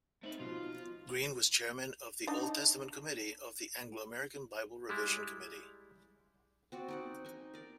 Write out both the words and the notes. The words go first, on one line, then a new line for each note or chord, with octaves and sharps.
Green was chairman of the Old Testament committee of the Anglo-American Bible revision committee.
A3 C4 D#4 B5
B2 F3 F4
D4 D#4
G3 G#3 E4
C4 F#4 D5
D#4 D5 F#5
D#4 G#5
A#4 D5